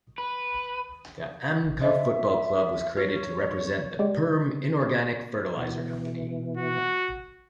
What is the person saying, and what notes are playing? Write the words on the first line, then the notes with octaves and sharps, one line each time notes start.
The Amkar football club was created to represent the Perm Inorganic Fertilizer Company.
B4
C5 D#5 E5
F#4 C#5
G#3 G4 D5
B2 E3
F#4